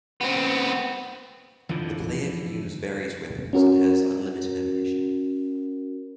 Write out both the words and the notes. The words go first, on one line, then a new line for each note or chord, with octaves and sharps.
The player can use various weapons and has unlimited ammunition.
B3 C4
F2 D3 E3 F3
C#4 F#4 A#4